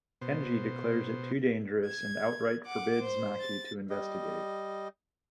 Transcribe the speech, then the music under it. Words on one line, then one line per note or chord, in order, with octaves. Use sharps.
Kenji declares it too dangerous, and outright forbids Maki to investigate.
B2 C5
G#6
F#5 D6
C5
A6
G3 D#5